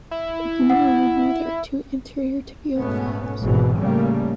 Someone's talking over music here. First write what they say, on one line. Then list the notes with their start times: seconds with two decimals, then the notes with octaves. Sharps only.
In human anatomy, there are two anterior tibial veins.
0.11 E4
0.70 F#5
2.78 G#2 B2 A3 B3 C#4
3.41 G#1 G#2 B2 E3
3.78 A2 C#3 G3 A3 A#3